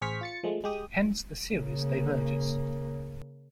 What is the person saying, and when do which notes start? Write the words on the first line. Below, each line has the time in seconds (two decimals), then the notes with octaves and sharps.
Hence the series diverges.
0.01 A1 G#4 C5 C#6 F6 B6
0.21 F4 A6 C#7
0.43 F3 G#3 A3
0.64 G#3 G4 D#6
1.56 C#3 A#3